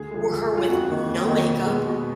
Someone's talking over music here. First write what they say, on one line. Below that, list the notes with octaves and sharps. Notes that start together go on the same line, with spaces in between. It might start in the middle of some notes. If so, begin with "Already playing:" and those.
were her with no makeup,
Already playing: D2 G#4
D3 F3 G#3
D2
D3 F3 G#3
F4
F2 F#4
D#3 A#3 D#4
F2
D#3 A#3 D#4
B2
G#3 B3
B2